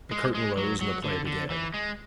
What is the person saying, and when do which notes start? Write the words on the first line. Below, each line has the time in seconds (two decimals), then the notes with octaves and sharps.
The curtain rose and the play began.
0.11 G#3
0.35 G#3
0.57 F#3
0.81 F#3
1.04 D3
1.27 D3
1.50 E3
1.74 G#3